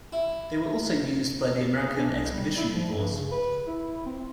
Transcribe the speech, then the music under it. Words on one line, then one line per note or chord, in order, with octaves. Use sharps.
They were also used by the American Expeditionary Force.
E4
G#4
D4
C2
G3
E4
F3
G2
C#3
B4
E4
C4